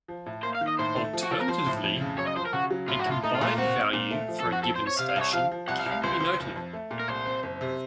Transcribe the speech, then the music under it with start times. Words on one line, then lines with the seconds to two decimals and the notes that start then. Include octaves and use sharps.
Alternatively, a combined value for a given station can be noted.
0.08 F3
0.26 A2
0.43 A#3 C5
0.55 F5
0.61 D#3
0.67 D#5
0.79 A2 C5
0.96 A3
1.13 F3
1.23 F#4
1.31 F3 A4
1.39 A#4
1.48 F3 C5
1.66 A2
1.84 F2
2.01 C#3
2.18 F#2 C#5
2.27 D#5
2.36 F3 C5
2.45 A#4
2.53 C#3 F#4
2.71 F#3
2.88 A2 F4
2.99 F#4
3.06 A2
3.11 F4
3.23 A3 D#4
3.35 F4
3.41 A#2
3.46 F4
3.58 C4 F#4
3.76 C4
3.93 A#2
4.11 A3
4.28 F3
4.40 A4
4.45 F2
4.52 F#4
4.63 F3 A4
4.75 C5
4.81 C4
4.87 C#5
4.99 C3 F5
5.10 F5
5.16 C2
5.21 C#5
5.33 F3 F5
5.51 F3
5.68 C2 F#5
5.79 F5
5.86 C2
5.91 F5
6.03 C#2 C5
6.20 C#2
6.38 F1
6.56 F2
6.73 A3
6.91 A#2
7.00 A#4
7.08 C2 C5
7.26 C4
7.43 F#1
7.61 C3